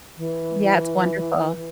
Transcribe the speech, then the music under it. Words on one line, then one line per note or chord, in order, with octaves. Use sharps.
Yeah, it's wonderful.
E3